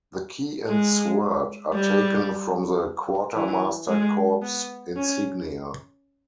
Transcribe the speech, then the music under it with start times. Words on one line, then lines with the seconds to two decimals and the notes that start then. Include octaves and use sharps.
The key and sword are taken from the Quartermaster Corps insignia.
0.68 G#3
1.74 G3
3.36 E3
3.89 G#3
4.42 B3
4.96 C#4